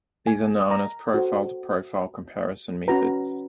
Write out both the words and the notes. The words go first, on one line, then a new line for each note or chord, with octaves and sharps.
These are known as profile-profile comparison methods.
G#5
A#5
F#4 A4 C5
C#4 F#4 B4 A#5